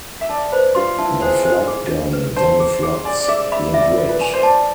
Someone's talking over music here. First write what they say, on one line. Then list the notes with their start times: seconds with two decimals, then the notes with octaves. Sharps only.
The flood gun then floods the grid.
0.21 E5
0.29 D5 A5
0.52 B4 C5
0.75 F4 C6
0.98 E4 A5
1.22 G#4 C5
1.44 G#4 C5
1.68 G#4
1.90 D4
2.13 B4
2.36 C5 A5
2.60 G#4
2.83 G#4
3.05 D5 G#5
3.20 D5
3.28 G#4 E5
3.52 E5 B5
3.74 D5 E5
3.98 F4
4.09 B4
4.21 G#5
4.34 C5
4.43 D5 A5